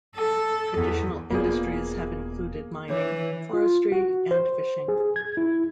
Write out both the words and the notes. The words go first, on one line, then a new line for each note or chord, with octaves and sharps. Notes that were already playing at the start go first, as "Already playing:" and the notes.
Traditional industries have included mining, forestry and fishing.
A4
E2
E1 A#3 B3 F4 G#4 D5
E3 D4 C#5 D6
F4
F#4
C5
G#4
G#6
E4